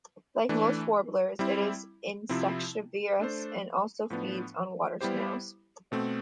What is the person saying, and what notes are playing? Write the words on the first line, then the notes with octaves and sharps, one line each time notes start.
Like most warblers, it is insectivorous and also feeds on water snails.
E3 A3 D4
G3 C4 E4
C3 F3 C4 E4
A3 D4 A4 C5
A2 F3 B3 D4
G3 B3 E4 G4 C5
B2 A3 C4